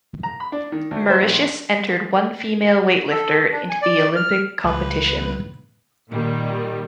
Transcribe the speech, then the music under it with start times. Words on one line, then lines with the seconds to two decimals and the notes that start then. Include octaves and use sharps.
Mauritius entered one female weightlifter into the Olympic competition.
0.23 A#5
0.40 B5
0.52 D4
0.72 D#3
0.91 D2
1.10 C5
1.22 A#1
3.10 A4
3.52 D4
3.69 G#5
3.82 D5
4.16 F6
4.64 C#2 B4
6.10 A#2 D#3 G3 A#3